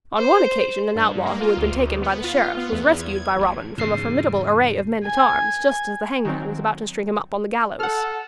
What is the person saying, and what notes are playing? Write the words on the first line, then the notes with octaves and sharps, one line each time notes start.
On one occasion an outlaw who had been taken by the Sheriff was rescued by Robin from a formidable array of men-at-arms just as the hangman was about to string him up on the gallows.
C5
G2
A#3
F4
D2
B3
F4
B3
E2
G#6
A1
E2 G#2 C#3 C7
G#5
D#3 F#3 C4
A4 F#5 F6